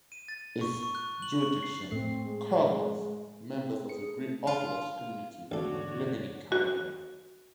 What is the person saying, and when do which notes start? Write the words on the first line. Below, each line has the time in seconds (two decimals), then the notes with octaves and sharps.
Its jurisdiction covers members of the Greek Orthodox community living in Canada.
0.12 D#7
0.28 A6
0.61 C#6
0.83 C#6
0.95 F#6
1.22 F#7
1.41 C#6
1.63 C7
1.91 A2 A3 C4 C7
2.24 G#3
3.52 C4
3.89 G#4 C#7
4.17 A3
4.47 F4
5.52 A1 E2 G#2 D3 F#4 A4 C#5 D5
6.52 F#4